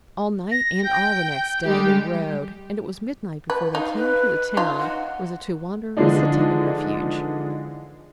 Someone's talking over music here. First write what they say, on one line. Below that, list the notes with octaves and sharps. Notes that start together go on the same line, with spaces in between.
All night and all the next day, they rode, and it was midnight before they came to the town where the two wanderers had taken refuge.
A#6
G5 G6
G3 G#3 G4
B4
D#4 F5
B4
D#4 F4
F#5
D3 E3 F3 G#3 D4 D#4